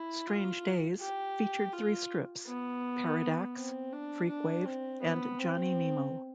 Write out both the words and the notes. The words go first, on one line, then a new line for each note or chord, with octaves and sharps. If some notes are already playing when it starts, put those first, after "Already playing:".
"Strange Days" featured three strips, "Paradax", "Freakwave", and "Johnny Nemo".
Already playing: E4
F4
G4
F4
B3
C4
D4
D4
C4
B3
C4